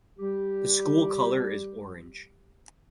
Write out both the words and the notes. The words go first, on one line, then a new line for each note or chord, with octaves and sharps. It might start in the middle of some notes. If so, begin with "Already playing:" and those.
The school color is orange.
G3 G4